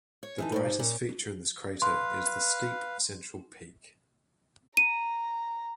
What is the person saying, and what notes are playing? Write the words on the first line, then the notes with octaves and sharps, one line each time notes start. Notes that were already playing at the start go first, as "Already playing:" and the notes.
The brightest feature of this crater is the steep central peak.
C#5
E3 D#4 A4
G#2 D#3 G3
A#2 C#4
B4 F5 C6
A#5 D#7